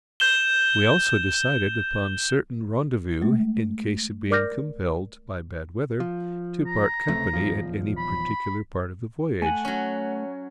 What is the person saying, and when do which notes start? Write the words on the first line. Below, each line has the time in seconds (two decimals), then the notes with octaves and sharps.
We also decided upon certain rendezvous in case of being compelled, by bad weather, to part company at any particular part of the voyage.
0.20 G6 E7 G7
3.22 G#3 A3
4.31 A#4 D5 D6 F6 G6 A#6
6.00 F3
6.67 A#5
7.08 C#2 C3 A3
7.33 D#1 E2 F3
7.97 B5
9.42 A3 F#5 G#5
9.65 F#3 C#4